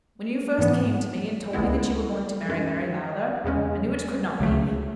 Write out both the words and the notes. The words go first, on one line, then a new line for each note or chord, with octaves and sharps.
When you first came to me and told me that you were going to marry Mary Lowther, I knew it could not be.
G#2 E3 B3
C#2 C#3 G#3 B3 E4
F#2 D#3 G#3
E2 C#3 G#3 C#4
C#2 C#3 F#3 A3